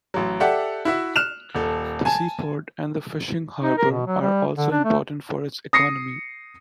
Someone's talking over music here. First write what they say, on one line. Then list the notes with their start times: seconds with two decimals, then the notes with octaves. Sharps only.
The seaport and the fishing harbour are also important for its economy.
0.14 A1 F#3
0.40 G4 A4 D5 E5 F#5
0.85 E4 F#4 E5
1.16 F6 F#6 E7 F7
1.55 D#1 A4
2.05 G#5 A5
3.62 D#4
3.77 A#4
3.91 B2
4.07 F#3
4.21 G3
4.56 D3
4.71 D4
4.84 A3
5.73 D#6 A#6 C7 C#7